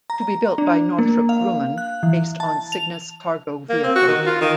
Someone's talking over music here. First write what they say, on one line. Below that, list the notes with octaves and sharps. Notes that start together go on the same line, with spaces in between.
To be built by Northrop Grumman based on Cygnus cargo vehicle.
A#5
D4
A#3
F5
F#6
E3
A5
F7
A#3
C4
F#4
D#3
F4
D#3